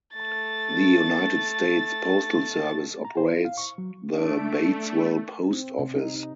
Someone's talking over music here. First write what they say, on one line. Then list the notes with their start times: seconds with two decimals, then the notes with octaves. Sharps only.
The United States Postal Service operates the Batesville Post Office.
0.15 A3 A6
3.05 A#5
3.17 C5
3.30 E4
3.45 F5
3.58 C#6
3.78 F#3
4.12 A3 D4 D7
5.51 C4
5.79 C3
5.95 D#4
6.15 D#4